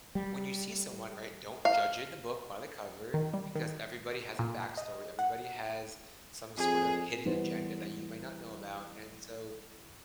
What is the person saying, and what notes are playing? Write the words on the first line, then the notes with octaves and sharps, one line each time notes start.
when you see someone, right, don't judge it- the book by the cover- because everybody has a backstory. Everybody has some sort of hidden agenda that you might not know about. And so,
G3
F5
D#3
G3
D#3
A#2
D#5
F#5
F2 G#4
E3 G3 B3 G4 B4 C5